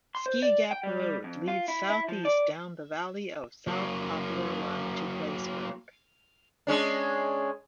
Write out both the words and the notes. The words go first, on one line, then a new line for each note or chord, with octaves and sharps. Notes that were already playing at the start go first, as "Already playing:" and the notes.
Ski Gap Road leads southeast down the valley of South Poplar Run to Claysburg.
C6
C5
D5
G5
G3
G3
F2
F4
E4
E4
F3
D5
F#3 A#3
G#3 C#4 D4